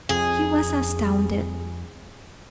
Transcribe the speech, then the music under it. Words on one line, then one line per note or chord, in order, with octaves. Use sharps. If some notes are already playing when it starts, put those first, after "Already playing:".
He was astounded.
F2 G#4